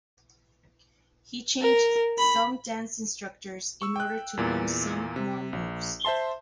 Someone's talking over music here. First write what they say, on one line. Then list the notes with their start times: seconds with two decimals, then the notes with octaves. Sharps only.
He changed some dance instructors in order to learn some more moves.
1.61 A#4
2.18 B5
3.82 C#6 E6
3.96 G5 F#6
4.37 E2 A#2 E3
5.16 C3
5.53 A#1
6.05 C5 E5 A5 C6